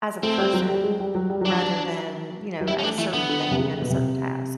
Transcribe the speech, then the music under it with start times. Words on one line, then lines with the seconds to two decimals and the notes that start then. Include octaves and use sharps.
as a person rather than, you know, at a certain thing, at a certain task.
0.23 A3 C4
0.38 G3
0.54 F#3
0.69 G3
0.84 G#3
1.00 G3
1.15 F#3
1.30 G3
1.41 F#3 D4
1.51 F3
1.62 F#3
2.61 F#3
2.68 G3 E4
2.79 C#4
2.83 A3 D4
2.98 E3 A3
3.14 D3 B3
3.29 D3
3.51 C3
3.59 C#3
3.82 B2
3.90 C3